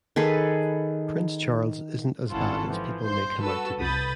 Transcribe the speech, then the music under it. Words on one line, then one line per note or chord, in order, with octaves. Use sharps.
Prince Charles isn't as bad as people make him out to be.
D#3 G#4 A4 B4
G#1 C#4 E4 F4 A4 F#5
E3 F3
G2 C5 C6 G6
F#4 A4 B4 E6
C2 B4 B5 D#6 G6 A6